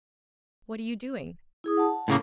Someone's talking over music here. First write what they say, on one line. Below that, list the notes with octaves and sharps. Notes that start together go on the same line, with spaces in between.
'What are you doing?'
E4 G#4 D#6
F#5 A5
A2 C#3 A#3